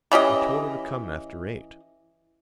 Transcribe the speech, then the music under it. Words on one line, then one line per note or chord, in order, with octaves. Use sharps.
I told her to come after eight.
E3 C#4 G4 D#5